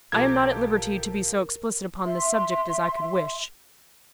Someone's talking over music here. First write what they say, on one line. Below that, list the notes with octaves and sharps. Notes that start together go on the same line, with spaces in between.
'I am not at liberty to be so explicit upon this subject as I could wish.
B1 F3 G4 A4 A#4 D6 G#6
E5 C6